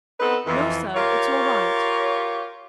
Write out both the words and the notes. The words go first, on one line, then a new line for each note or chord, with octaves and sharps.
"No, sir, it's all right."
B3 C4 D#4 A4 B4
F2 E3
F4 G4 A#4 C#5